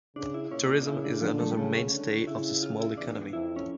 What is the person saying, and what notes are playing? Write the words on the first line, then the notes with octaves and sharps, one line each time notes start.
Tourism is another mainstay of the small economy.
C#3 D4
E4
A#2 C#4
D4
C#3 E4
D4
D3 F3
A3
G3
C#3 A3
C#4
D3
C#3 E4
F4
E4
E2 D4
F2 E4
C#4